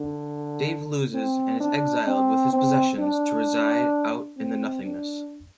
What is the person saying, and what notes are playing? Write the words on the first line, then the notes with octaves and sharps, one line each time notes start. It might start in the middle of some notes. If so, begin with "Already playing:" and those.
Dave loses, and is exiled with his possessions to reside out in the nothingness.
Already playing: D3
C4
D4
C4
C4
D4
C4
D4